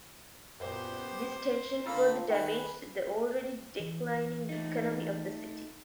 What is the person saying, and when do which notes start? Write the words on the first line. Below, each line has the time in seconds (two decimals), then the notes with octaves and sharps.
This tension further damaged the already declining economy of the city.
0.60 F#2 A#2 B3 G4 C5
1.86 D3 A#3 F4 A4 F5 B5
2.30 D#3 G#4 B4
3.80 E3
4.49 A3 D#4